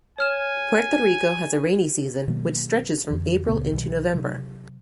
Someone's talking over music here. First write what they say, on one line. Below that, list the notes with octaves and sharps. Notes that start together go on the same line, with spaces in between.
Puerto Rico has a rainy season which stretches from April into November.
C#5 G#5 F6 E7
B2 D#3 F#3 A#3
F2 D3 E3
C#2 A#2 C#3 B3
C2 B2 D#3 F#3
C3 F#3